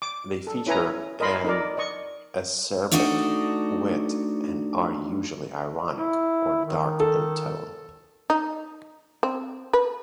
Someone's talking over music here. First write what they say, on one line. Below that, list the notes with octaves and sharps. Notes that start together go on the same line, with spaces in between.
They feature an acerbic wit and are usually ironic or dark in tone.
D6
A4
C#4 E4 B4 G#5 A#5
A#4 D#5 B5 C6
D#4 A#4 D5
D5 D#5 C#6
A3 D4 D#4 F#4 C5 D#5
E4
D#3
A4
D#4
C4
B4